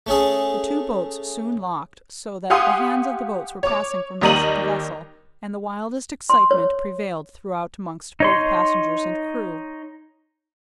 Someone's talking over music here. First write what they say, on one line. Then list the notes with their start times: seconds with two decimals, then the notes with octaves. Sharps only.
The two boats soon locked, so that the hands of the boats were passing from vessel to vessel, and the wildest excitement prevailed throughout amongst both passengers and crew.
0.07 A3 C#4 G#4
2.50 G4 F5 F#5 G#5 C6 D#6
3.63 C#5 D6
4.21 D#2 G3 D#5 A#5 D#7 F#7
6.30 C6
6.51 C#5
8.20 D#4 C#5 C6